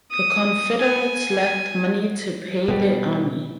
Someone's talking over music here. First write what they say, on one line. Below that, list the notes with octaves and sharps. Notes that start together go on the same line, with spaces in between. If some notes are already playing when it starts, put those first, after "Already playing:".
The Confederates lacked money to pay their army.
D#6
G#5
B2 G3